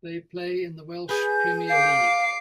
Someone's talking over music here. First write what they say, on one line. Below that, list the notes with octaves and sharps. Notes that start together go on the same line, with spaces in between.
They play in the Welsh Premier League.
G#4 B4 G#5 G6
F5 D6 C7